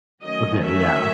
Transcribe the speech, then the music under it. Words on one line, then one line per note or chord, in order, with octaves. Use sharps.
Okay, yeah.
D#3 F#3 A3 C#4 D#5
E5